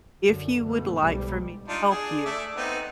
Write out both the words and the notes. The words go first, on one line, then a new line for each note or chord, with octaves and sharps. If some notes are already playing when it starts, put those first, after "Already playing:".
If you would like for me to help you,
F#2 D3
B2 A3
B1 G#2 G3
D4 D#4 F4
D4 G#4
A3 D5 E5
B3 C4 D#4